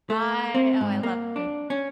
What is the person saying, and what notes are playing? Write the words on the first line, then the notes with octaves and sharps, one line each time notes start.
I Oh, I love food.
A3
C4
G#2
A#3
D4
C#4